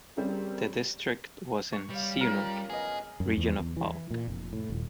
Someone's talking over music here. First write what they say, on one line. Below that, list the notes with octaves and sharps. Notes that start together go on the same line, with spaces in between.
The district was in Siunik, region of Balk.
G3 C4 C#4 G4 G#4 A#4
C#6
G3 C#5 F5
C#4 F4 A#4
B3 G#4 D#5
F#2
E2
E2
E3
A#2
F1
A2
D#1